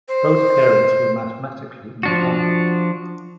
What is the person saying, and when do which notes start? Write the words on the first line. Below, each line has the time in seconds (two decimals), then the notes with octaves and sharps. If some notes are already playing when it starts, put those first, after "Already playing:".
Both parents were mathematically inclined.
0.08 C5
2.03 F3 D4 F#4